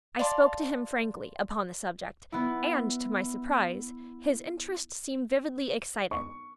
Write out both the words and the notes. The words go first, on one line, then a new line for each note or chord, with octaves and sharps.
I spoke to him frankly upon the subject; and, to my surprise, his interest seemed vividly excited.
D5 F5 A5 C6
B3 E4
C#6